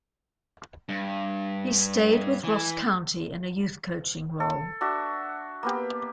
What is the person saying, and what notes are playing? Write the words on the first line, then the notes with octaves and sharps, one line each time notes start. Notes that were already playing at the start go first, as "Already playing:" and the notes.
He stayed with Ross County in a youth coaching role.
G2
E3
A4
D4 F#4 E5
A#3 B3 G4